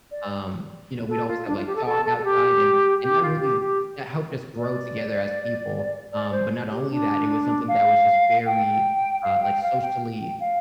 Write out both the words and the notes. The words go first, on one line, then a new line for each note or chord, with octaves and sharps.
Um, you know, we'd always have like chalk outside and and that really, that helped us grow together as people. Um, but not only that, it was something that was just very, uh, like socially,
D5
A4
F4
D4
F4
G4
A4
A4
A4
A4
G4
G4
F4
G4
G4
D5
D5
C5
G4
D4
F5
G5
F5
G5
F5
G5
G5
F5